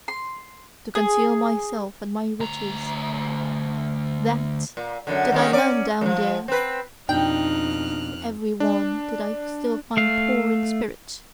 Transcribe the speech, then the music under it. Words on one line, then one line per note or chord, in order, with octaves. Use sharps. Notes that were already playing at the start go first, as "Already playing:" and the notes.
To conceal myself and my riches--THAT did I learn down there: for every one did I still find poor in spirit.
C6
G#4
D2 A#5
A#2
F#2 B2 D3
D#3 G#3 C#4
C#4 D5
F#2 F3
C4 B4
F2 B2 D4 D#4 G5 F6 F#6
D4
A3 F5